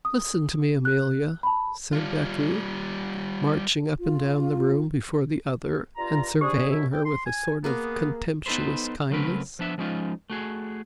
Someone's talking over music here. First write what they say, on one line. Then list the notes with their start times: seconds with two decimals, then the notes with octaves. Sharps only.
"Listen to me, Amelia," said Becky, marching up and down the room before the other and surveying her with a sort of contemptuous kindness.
0.05 D#6
0.85 F#6
1.43 A5 B5
1.93 G3 F4
4.00 F4
5.96 G2 F4 A#5
6.41 D4 G4 G#4 C5
6.68 F#2 B2 E4
6.93 G5
7.05 C6
7.26 G#5
7.64 A#3 B3 G#4 A#4
8.46 B3 D#4 F4 A4 B4 C5
9.10 C#3 F#3 A3 C4 A#4 B4
9.59 F3 B3 D4 E5
9.78 F3 G#3 C#4 D#4 F4
10.30 A3 F#4 G#4